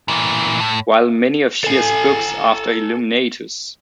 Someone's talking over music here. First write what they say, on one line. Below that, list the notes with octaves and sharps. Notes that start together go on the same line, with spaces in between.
While many of Shea's books after Illuminatus!
A#2 E3
A2
A4 G#5